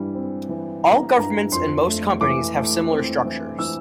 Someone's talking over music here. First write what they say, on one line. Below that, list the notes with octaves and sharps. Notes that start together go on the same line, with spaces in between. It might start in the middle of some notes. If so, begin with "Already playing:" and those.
All governments and most companies have similar structures.
Already playing: G2 E3 G3
C4
E3
E3 A#5
G2 A#5
F2 C6
A3
E3 D6
A3
C4
E3
E3 E6